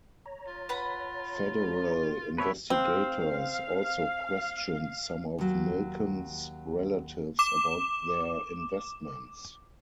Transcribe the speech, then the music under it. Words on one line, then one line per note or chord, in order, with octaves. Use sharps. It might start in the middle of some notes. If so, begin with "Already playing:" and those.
Federal investigators also questioned some of Milken's relatives about their investments.
C#5 A#5
F4
B4 F#5 B5
B2 B4 C#5 E5
C4 F5
D#2 F#3
D6 E7